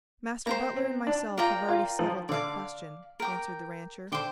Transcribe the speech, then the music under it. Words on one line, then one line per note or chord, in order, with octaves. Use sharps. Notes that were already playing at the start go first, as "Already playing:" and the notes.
"Master Butler and myself have already settled that question," answered the rancher.
A#3 C5 G5 A#5
C4
D4
F4 A#4 D5 G5 A#5
F4
F3
D3 D5 F5 D6
A#4 G5 D6
D3 C5 G5 D6